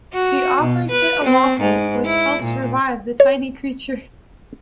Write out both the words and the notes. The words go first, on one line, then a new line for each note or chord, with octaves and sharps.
She offers it a waffle, which helps revive the tiny creature.
F#4
B2
B4
C4
G#2
E4
A#2
C#5